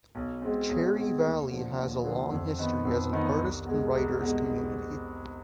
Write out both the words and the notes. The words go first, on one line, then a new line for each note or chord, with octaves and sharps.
Cherry Valley has a long history as an artist and writer's community.
B1
B2 G#3 C4
B1
B2 G#3 C4
D#2
D3 F3
D#2
D3 F3
F2
D#3 B3 D#4
F2
D#3 B3 D#4
C2
B2 G#3
C2
B2 G#3